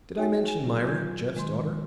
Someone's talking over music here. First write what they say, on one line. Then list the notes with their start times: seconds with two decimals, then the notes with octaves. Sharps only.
Did I mention Myra, Jeff's daughter?
0.16 D#4 F#4 G#4 C#5 G5 G#5
0.47 G#5
0.64 F#3 F4
0.85 F#3 G6 G#6
1.34 D#3 G#3 C6